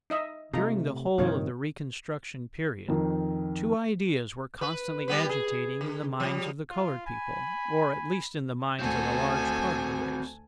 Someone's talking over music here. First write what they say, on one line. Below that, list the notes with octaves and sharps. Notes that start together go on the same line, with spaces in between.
During the whole of the Reconstruction period two ideas were constantly agitating in the minds of the coloured people, or, at least, in the minds of a large part of the race.
D#4 D#5 E5
C3 A3 D#4 F4 A#5
G2 C3 D#3 A#3 F4 C#5
F2 D#3
B4
G3 B3 B4
G#4
D3
F3 G3
F4
G#5 B5
D2 C4 F#4 A4 G#5